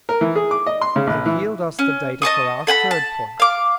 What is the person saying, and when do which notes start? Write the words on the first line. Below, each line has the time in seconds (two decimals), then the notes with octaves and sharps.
They yield us the data for our third point.
0.09 A#4
0.21 E3
0.36 G#4
0.51 D6
0.66 D#5
0.81 C6
0.96 C#3
1.07 A#1
1.26 E3
1.79 C#4
2.22 D#5 A5 C#6 D#6
2.67 A4 F#5 G#5 B5
2.91 A5
3.40 F5 D6